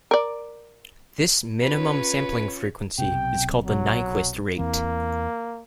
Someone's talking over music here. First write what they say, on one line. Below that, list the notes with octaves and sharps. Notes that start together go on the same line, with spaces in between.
This minimum sampling frequency is called the Nyquist rate.
A#4 D5
C#4 F4 B4 C#5
B1 C3 G5
F#3
E2 E3 A#3 C4